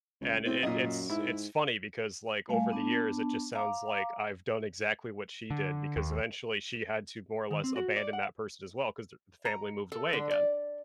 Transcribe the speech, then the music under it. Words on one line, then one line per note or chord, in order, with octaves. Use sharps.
And i i it's it's funny because, like, over the years, it just sounds like I've done exactly what she did because eventually she had to, more or less, abandon that person as well, 'cause the f family moved away again.
C#2
A2 C4
F#2 A#2 D#5
G#2 E4
G3 A3 F5 G#5
B3 D4 A5
F5 A#5 D6
D3
D#2
D#3
C4
F#4
D5
F#5
A#5
A4
D3
D5